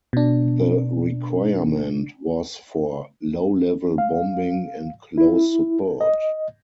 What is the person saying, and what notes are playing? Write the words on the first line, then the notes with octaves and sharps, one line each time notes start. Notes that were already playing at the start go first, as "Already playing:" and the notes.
The requirement was for low-level bombing and close support.
B2 D4
F5
E4
D#5